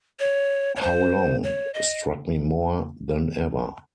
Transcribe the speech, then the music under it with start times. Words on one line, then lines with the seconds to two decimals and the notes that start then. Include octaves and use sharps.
'How Long' struck me more than ever.
0.20 C#5
0.76 C#5
0.81 C5
1.43 C#5
1.74 D#5